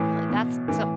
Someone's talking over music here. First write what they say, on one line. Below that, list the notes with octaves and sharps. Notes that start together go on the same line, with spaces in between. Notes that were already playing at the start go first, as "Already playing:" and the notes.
Really? That's so
Already playing: A2 E3
B2
A2 E3